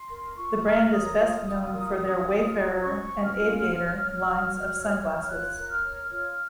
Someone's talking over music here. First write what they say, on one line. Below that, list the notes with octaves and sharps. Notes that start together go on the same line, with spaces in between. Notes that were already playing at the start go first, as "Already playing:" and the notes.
The brand is best known for their "Wayfarer" and "Aviator" lines of sunglasses.
Already playing: C6
A#4
F4 C#6
A#4 F6
C#5 D#6
F4
F4
A#4
C#4
F4
C5
C#4 C#6
C#4
F6
F4
C#5
C#5
F#4
F#4
C#5
C#5
F4 F#6
A#4
F6
C#5
F4 F6